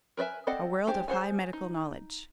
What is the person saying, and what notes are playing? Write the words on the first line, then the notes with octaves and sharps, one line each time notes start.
A World of High Medical Knowledge.
A#4 B4 D5 E5 G#5
C4 A4 D5 D#5 F#5
G#3 D4 G4 C5
G#4 C5 F#5 G#5
D#4